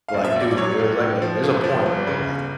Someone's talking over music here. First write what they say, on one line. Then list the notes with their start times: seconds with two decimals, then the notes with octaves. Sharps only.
But, like, dude, there's like a there's a point, bro, like,
0.08 F5
0.14 A#1
0.25 E5
0.36 A#1 D5
0.51 D5
0.57 F#3 C#5
0.79 A#1
1.00 A2
1.22 F3
1.42 G1
1.64 F3
1.86 G1
2.07 C#3
2.29 G1